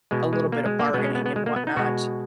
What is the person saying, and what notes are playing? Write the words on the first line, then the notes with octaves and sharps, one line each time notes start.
a little bit of bargaining and whatnot.
B2 G#3
G#3
A#3
G#3
A#3
B2 G#3 B3
C#4
B3
B3
G#3
A#3
B3
D#4
B2 G#3 F#4